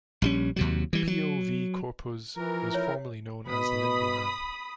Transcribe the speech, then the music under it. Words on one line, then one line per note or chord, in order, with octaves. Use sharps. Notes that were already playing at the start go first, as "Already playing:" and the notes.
Pio V. Corpuz was formerly known as Limbuhan.
A#1 G3 C#4
D#2 C3 F#3
E3 G3
F#3
E3 F3 A#4
C#5
B2 B5 D#6